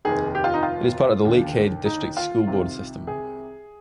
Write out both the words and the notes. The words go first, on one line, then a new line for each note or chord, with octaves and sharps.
It is part of the Lakehead District School Board system.
F1 D#2 D#3 G#4
G4
F4
D#4
F4
D#2 D3
D#4
F4
C2 C3 D#3
G#4